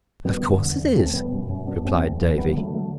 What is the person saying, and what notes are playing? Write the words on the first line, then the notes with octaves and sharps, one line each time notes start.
"Of course it is," replied Davy.
F#2 G3 B3
D3
E2
E2
E2 A3 C4
B2 G3 B3
F#2
F#2
F#2 B3 D4
F#2 A3 C4
E2
E2
D3 G3 B3
D3 F#3 A3
D3 F#3 A3